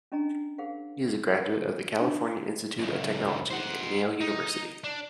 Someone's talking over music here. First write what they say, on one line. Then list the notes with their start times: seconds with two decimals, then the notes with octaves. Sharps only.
He is a graduate of the California Institute of Technology, and Yale University.
0.12 C#4 D4 D#5 G#5 A#5
0.58 G#4 A#4 C5 F5 F#5
1.29 B4 D5
2.00 D4 D#4 C5 C6
2.79 C#2 F#2
3.50 C5 F#5
4.21 D#4
4.84 D4